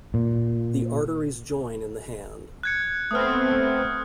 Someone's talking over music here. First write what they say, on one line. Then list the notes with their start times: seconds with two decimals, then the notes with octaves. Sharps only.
The arteries join in the hand.
0.14 A#2
2.63 F#6 G#6 C#7
3.11 A3 B3 C4 D#6 F6